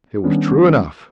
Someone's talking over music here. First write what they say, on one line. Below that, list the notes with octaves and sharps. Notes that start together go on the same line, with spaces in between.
It was true enough.
D#3 G3 B3 C#4 D4